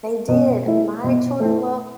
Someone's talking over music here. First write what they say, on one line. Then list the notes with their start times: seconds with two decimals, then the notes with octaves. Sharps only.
They did, my children loved
0.28 B2
0.66 A3 E4
1.04 B2
1.40 A3 E4